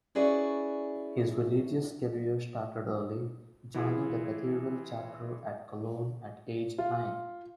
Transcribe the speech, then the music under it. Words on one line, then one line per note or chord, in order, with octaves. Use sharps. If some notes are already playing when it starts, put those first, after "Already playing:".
His religious career started early, joining the cathedral chapter at Cologne at age nine.
C#4 E4 F#4 G#4 B4 D5
E3 E4 F4 G#4
F4